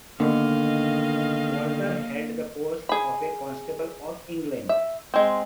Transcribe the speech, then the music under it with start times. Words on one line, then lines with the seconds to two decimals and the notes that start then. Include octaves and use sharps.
Walter held the post of a Constable of England.
0.20 B2 D3 D#3 A#3 D#5 F5
2.89 G#4 B5
4.69 E5
5.14 G#3 C4